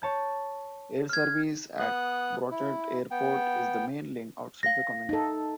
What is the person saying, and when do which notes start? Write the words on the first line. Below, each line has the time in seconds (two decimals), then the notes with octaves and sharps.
Air service at Brochet Airport is the main link outside the community.
0.02 C#5 A5 G6
1.09 F6 G#6
1.79 B3 D#6 F#6
2.51 E4
3.11 B3 G5
4.63 F5 A#6
5.09 D#4 A4